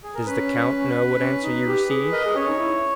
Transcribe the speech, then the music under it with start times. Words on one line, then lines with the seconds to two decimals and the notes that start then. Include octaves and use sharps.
"Does the count know what answer you received?"
0.03 G#4
0.15 A#4
0.26 C#4 B4
1.20 C#4
1.42 D#4
1.66 G4
1.89 G#4
2.12 A#4 D#5
2.25 G#4
2.36 C#4 C#5
2.48 D#4
2.59 E4